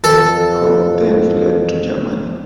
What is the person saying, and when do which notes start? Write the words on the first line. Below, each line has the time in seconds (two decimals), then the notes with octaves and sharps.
Hopp then fled to Germany.
0.04 F2 A4